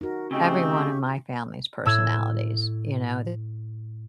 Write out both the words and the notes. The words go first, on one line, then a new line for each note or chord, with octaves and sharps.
everyone in my family's personalities, you know,
D#4 F#4 A#4
C#3 G#3 A3 C4 G4 C#6
A2 E6 G#6